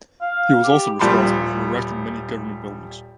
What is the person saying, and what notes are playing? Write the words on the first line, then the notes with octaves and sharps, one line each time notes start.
He was also responsible for erecting many government buildings.
F5
G4
D#1 F3 G3 A5 B5 C6